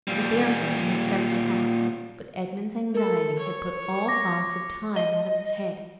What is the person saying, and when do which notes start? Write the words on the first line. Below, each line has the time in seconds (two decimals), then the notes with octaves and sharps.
It was therefore near seven o'clock; but Edmond's anxiety had put all thoughts of time out of his head.
0.08 A#2 G3
2.94 A4 A#4
3.39 C#5
4.08 D6 A#6
4.96 D#5